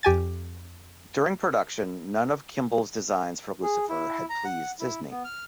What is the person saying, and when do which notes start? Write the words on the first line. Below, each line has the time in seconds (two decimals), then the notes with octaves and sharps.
During production, none of Kimball's designs for Lucifer had pleased Disney.
0.03 F2 G4 G#5 A6
3.63 G#4
3.89 E4
4.30 A#5
4.45 F#5
4.80 E4
5.11 B3
5.24 F6